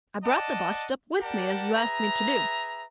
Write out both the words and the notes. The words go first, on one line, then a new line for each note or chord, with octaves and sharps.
I brought the bust up with me, as you asked me to do.
D5 D#5 F#5 A5
G4 A#4 D5 F#5 A5
G#4 B4 E5 A#5